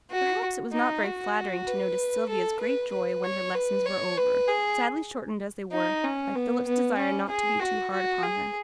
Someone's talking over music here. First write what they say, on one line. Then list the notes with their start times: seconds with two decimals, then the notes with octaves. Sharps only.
Perhaps it was not very flattering to notice Sylvia's great joy when her lessons were over, sadly shortened as they were by Philip's desire not to be too hard upon her.
0.11 F#4
0.73 D#4
1.04 F#4
1.66 B4
2.29 A4
2.60 B4
2.92 B4
3.23 C#5
3.55 B4
3.86 C#5
4.17 B4
4.48 G#4
5.73 D#4
6.04 C#4
6.35 B3
6.66 B3
6.98 C#4
7.29 G#4
7.60 F#4
7.92 F#4
8.22 G#4